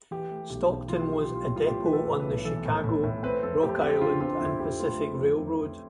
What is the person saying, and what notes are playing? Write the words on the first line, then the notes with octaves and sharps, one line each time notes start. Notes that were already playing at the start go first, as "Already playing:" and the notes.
Stockton was a depot on the Chicago, Rock Island and Pacific Railroad.
E3 G4
A3
B1 G4
B1
E3 F4
G4
E3 F4
B1 G4
F4
A2
F4
A2 G4
E3 B4
A4
A2
B4
B1
E3 A4
A2
A2
A2
C4 B4
F2 A4
A3 G4
C4 G4
D3 F4
C4 F4
F2 E4
F2 G4
A3 F4
A3
F2
F2
F2